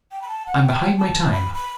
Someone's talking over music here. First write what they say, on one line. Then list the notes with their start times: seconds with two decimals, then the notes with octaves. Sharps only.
"I am behind my time."
0.12 G5
0.22 B5
0.28 A5
0.46 F#5
0.63 G5
0.98 A5
1.32 B5
1.54 B5